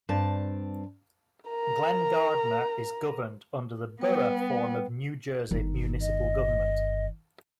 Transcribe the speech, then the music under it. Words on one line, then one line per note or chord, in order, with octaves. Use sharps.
Glen Gardner is governed under the Borough form of New Jersey municipal government.
G2 C4 A5
A#4 A#5
G3 B3 B4 G5
G1 D#3
D#5